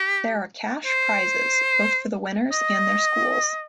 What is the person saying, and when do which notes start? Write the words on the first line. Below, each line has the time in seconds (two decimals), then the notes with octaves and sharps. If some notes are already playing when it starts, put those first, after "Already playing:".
There are cash prizes, both for the winners and their schools.
Already playing: G4
0.86 C5
2.52 D#5